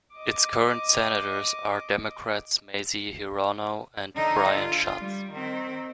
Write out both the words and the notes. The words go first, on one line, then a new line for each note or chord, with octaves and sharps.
Its current senators are Democrats Mazie Hirono and Brian Schatz.
D#5 D6
D3 D#4
F4
G3
D#3 C4